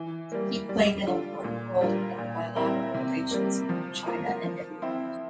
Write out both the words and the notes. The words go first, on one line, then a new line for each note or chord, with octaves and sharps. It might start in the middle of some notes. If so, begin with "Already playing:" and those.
He played an important role in the bilateral relations between China and Italy.
Already playing: E3
G3 A#3
G3
D4 F4 A4
A#2
G3 D4 F4 A#4
A#2
G3 C4 E4 A#4
C3
G3 A#3
F3
A#3 F4 A#4
F3
C4 E4